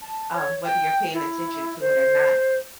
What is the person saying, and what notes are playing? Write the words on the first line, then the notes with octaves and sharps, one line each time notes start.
um, whether you're paying attention to it or not.
A5
C#5
G5
E4
C5